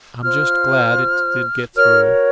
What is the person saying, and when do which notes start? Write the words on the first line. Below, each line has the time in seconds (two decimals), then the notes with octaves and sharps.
"I'm just glad it did get through."
0.22 F4 C5 F6
1.75 F#4 A#4 C#5 F6